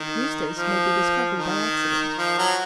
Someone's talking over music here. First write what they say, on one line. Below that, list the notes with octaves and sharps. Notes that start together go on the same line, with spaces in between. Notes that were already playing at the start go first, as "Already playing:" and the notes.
Eustace made the discovery by accident.
Already playing: D#3
F3
D#3
F3
F#3